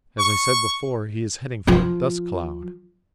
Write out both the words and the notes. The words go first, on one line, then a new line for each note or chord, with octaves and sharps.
As I said before, he is heading for a dust-cloud.
C#6
F3 F4